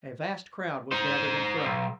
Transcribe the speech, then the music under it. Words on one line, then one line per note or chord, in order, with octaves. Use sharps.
A vast crowd was gathered in front.
D#4 C5
B1